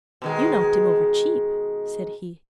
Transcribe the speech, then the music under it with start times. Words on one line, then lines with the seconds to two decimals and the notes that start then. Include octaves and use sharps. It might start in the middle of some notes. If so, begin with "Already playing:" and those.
"You knocked him over cheap," said he.
0.22 B2 D#3 G#3